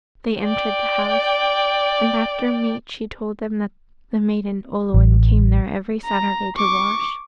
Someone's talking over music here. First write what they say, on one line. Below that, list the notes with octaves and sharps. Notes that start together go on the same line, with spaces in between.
They entered the house, and after meat she told them that the maiden Olwen came there every Saturday to wash.
D5 G5
A1
A#5
C#6 D6